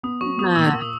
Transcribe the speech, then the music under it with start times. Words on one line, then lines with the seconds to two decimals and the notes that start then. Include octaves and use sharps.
Mm, ah.
0.03 B3 D#6
0.21 F#3 C#6
0.38 B3 D#6
0.56 A#2 E6
0.73 A#3
0.82 D#6